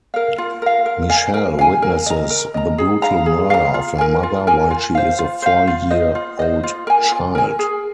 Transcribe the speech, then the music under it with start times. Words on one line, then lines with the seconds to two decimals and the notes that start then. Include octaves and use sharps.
Michelle witnesses the brutal murder of her mother while she is a four-year-old child.
0.14 A#4 F5
0.38 F4
0.62 A#4 F5
0.86 A#4
1.10 F5 G#5
1.34 A#4
1.59 F5 G#5
1.82 A#4
2.06 D#5 A#5
2.30 A#4
2.54 D#5 A#5
2.78 G#4
3.02 F5 A#5
3.26 G#4
3.50 F5 A#5
3.74 F4
3.98 A#4 G#5
4.23 F4
4.47 A#4 G#5
4.70 F4
4.95 C5 F5
5.19 F4
5.42 C5 F5
5.67 F4
5.91 C5 D#5
6.15 F4
6.39 C5 D#5
6.63 F4
6.87 A#4 G#5
7.12 F4
7.35 A#4 G#5
7.59 G#4